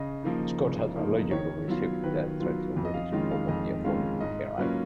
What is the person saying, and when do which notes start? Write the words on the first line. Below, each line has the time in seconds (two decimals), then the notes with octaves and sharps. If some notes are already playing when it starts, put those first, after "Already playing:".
Scott has allegedly received death threats over his support of the Affordable Care Act.
Already playing: C#3 D#5
0.23 F3 A#3 D#4
0.59 C#3
0.96 F3 A#3 D#4
1.31 D#3 C#5
1.68 F#3 B3 F4
2.03 D#3 B4
2.40 F#3 B3 F4
2.76 F2
2.85 D#5
2.94 F5
3.12 D#3 G#3 C#4 F4 D#5
3.31 F5
3.48 F2 D#5
3.84 D#3 G#3 C#4 F4 F5
4.20 G#2 D#5
4.58 F#3 A#3 C#4 F4 B4